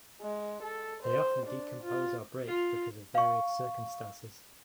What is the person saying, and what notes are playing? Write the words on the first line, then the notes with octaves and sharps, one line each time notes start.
They often decompose or break because of various circumstances.
G#3
A4
C5
D4
F4
F4
F5 C#6